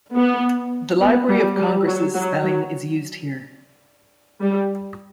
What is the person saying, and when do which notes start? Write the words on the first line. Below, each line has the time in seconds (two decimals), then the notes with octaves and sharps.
The Library of Congress's spelling is used here.
0.16 B3
1.01 B3
1.29 G3
1.57 G3
1.87 F#3
2.14 F#3
2.44 F#3
4.42 G3